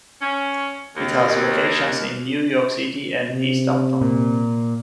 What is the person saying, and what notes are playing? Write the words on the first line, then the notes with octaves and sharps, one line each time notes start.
It has locations in New York city and East Hampton.
C#4
D#2
C3
A#2